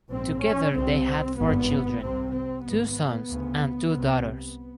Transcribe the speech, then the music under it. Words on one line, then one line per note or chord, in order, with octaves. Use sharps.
Together they had four children; two sons and two daughters.
A#1 G#2 C4
C#4
C2 C3 C4
G#1 G2 B3
C2 C3 C4
C4
G#1 G#2 B3
D2 C#3
C2 C3